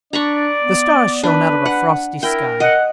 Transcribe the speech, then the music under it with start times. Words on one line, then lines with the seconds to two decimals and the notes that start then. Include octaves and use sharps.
The stars shone out of a frosty sky.
0.13 D4 D5 A#5 B5 C#6
0.60 B3
1.23 D4 B4
1.65 F#5
2.23 E4 A#4 G5
2.60 D#5 F#5